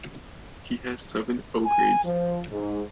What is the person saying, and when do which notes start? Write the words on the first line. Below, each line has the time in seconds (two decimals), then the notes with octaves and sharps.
"He has seven O-Grades".
1.65 G#5
2.04 F3
2.51 G#2